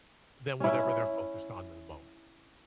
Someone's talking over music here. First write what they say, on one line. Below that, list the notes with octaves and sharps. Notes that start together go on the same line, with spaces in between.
than whatever they're focused on in the moment.
C#4 E4